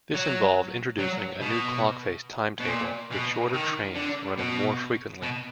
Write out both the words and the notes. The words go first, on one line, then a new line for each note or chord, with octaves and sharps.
This involved introducing a new clockface timetable with shorter trains running more frequently.
F#3
F#3
B2
B2
A#2
B2
D#3
D3
B2
B2